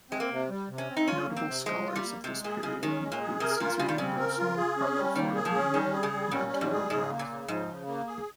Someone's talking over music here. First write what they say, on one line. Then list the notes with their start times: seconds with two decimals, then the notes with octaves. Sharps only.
Notable scholars of this period include Cesare Lombroso, Carlo Forlanini and Arturo Graf.
0.10 G#3 C4
0.20 A#3
0.30 C3
0.50 G3
0.69 C3
0.78 C#4
0.88 C4
0.97 D#4
1.08 C#4 F4
1.27 A#3
1.36 C4
1.46 C3
1.66 F3 G#3
1.86 F4
1.96 G3
2.04 A#3
2.24 C3 G#3
2.43 A#2 G#4
2.63 C#3 G#3
2.82 D#3 C#4
3.02 G#3
3.12 A#2
3.22 G#4
3.40 C3 A#4
3.60 A#2 F4
3.79 C#3 G3
3.89 D#3
3.98 C#3 C4
4.19 A#4
4.38 F4
4.58 G#4
4.77 C#4
4.96 G3
5.15 D#3 A#3
5.35 G#4
5.45 F3
5.54 C#4
5.74 D#3 G3
5.93 G#4
6.03 C#3
6.13 G3
6.31 A#2 C#4
6.51 G3
6.61 G#2
6.71 G#4
6.90 G#2 C#3
7.10 A#3
7.19 A#2
7.29 C#3
7.48 G#2 F3
7.68 C#3
7.87 A#3
8.07 G#4